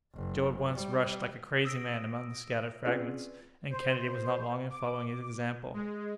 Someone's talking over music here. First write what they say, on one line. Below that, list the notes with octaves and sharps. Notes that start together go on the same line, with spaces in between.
Joe at once rushed like a crazy man among the scattered fragments, and Kennedy was not long in following his example.
F#1
G3
D#6 E6 A#6 D7
C4 C#4 F4 G#4 B4 D5
C5
D6
G#3